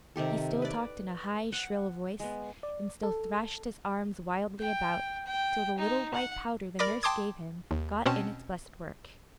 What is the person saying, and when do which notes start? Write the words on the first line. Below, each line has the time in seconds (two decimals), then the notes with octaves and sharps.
He still talked in a high, shrill voice, and still thrashed his arms wildly about, till the little white powder the nurse gave him got in its blessed work.
0.16 C3 D#3 G4 A4
0.62 B4 D5
1.52 F#5
2.20 G#3 B3
2.63 D5
3.03 A4
4.60 G5
5.26 G5
5.78 D#4
6.14 F#5
6.79 A#4 D5 B5 D6 A#6
7.03 G5 A5 C6 D6 D#6 G#6
7.71 D#2
8.06 B2 C4 C#4 A5